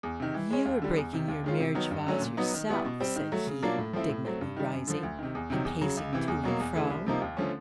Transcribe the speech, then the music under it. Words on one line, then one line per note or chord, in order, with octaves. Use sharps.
'You are breaking your marriage vows yourself,' said he, indignantly rising and pacing to and fro.
E2
C3 D#3
E3
G#3 C#4
D#2
D3 G3
E2
C3 D#3
D#2
D#3 G#3 C#4 F4
C3
D#3 F#3 B3
G2
D3 F#3 A3 C#4
A#2
F#3 B3 D#4
D#3
G3 B3 E4
B2
G3 C4
D#3
F#3 A3
C#3
F#3 A#3 D4 F4
A2
F3 A3 C4 E4
A2
F#3 A3 C4
G2
D#3 G3
F#2
D3 F3
D2
C3 D#3
E2
C3 D#3 F#3
E2
C#3 F#3
C#2
C3 E3
E2
B2 F#3 A#3
E2
C#3 E3 A3
C2
C3 F3 A#3 D#4
D#2
D3 F3 A3 C#4